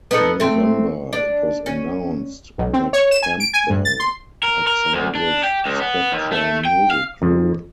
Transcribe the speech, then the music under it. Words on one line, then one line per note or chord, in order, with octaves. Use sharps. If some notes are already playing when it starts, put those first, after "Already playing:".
In November, it was announced that Campbell had signed with Spectra Music Group.
B3 D#4 A4
A3 C4
D4
C#4
B1
C4
C#5
E7
G#5
D7
G#5
G2
A6
C6
A#4
A#4
D2
D4
G4
C#2
B3
D#2
A3
G5
F5
F2